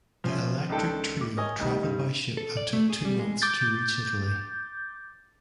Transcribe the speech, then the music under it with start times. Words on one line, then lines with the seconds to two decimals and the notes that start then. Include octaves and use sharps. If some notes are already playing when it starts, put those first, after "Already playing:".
The electric trio traveled by ship and took two months to reach Italy.
0.24 F3 C#4 E5
0.69 C#2 D#3 D4 A4 G5
1.21 D6
1.37 A#4 C#5 D#5 G#5
1.59 D2 B2 D#3 G3
1.83 G2 D#4
2.37 A4
2.57 D5
2.73 A3
2.90 G#4
3.05 G3
3.19 G#3
3.42 D6 G6 A6